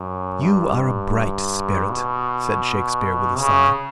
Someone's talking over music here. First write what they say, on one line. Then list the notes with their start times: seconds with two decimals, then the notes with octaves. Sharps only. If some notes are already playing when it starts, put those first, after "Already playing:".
"You are a bright spirit," said Shakespeare, with a sigh.
Already playing: F#2
0.43 G2
1.91 B2
3.38 C#3